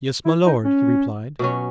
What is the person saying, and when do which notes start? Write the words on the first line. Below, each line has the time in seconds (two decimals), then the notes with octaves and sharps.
"Yes, my lord," he replied.
0.25 E4
0.45 D#4
0.64 C#4
1.39 B2 F#3 C#4